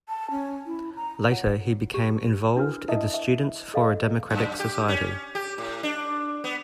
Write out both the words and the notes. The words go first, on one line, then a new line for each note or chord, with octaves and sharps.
Later he became involved in the Students for a Democratic Society.
A5
C#4
E4
A#5
F4 C#5 F#5
G4
D4 E4 F#4 A#4 B4
E4 A#4 D#5 E5 A5 D#6
E5
A4 D#5 F5
F#2
G4
C#4
G4
A2
D4
B3